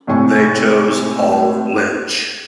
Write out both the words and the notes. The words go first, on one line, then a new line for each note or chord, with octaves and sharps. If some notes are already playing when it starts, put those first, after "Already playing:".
They chose Paul Lynch.
G#1 A2 C3 G#5 C#6